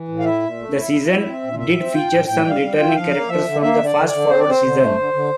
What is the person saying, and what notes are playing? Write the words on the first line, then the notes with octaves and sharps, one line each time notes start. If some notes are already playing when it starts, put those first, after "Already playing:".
The season did feature some returning characters from the "Fast Forward" season.
Already playing: E3
A2
F5
E4 E5
A#2
A3
E4
E4
E4
C4
A#2
A2 E5
C4
F4 G5
A2
A2 G5
G3
F5
G3
G5
F4
E5
F3 F5
A#3
F3 E5
D3
A#3 E5
D3
D5
D3
D5
D3
C4 C5
D5
C4 C5
D3
A3
D3
D3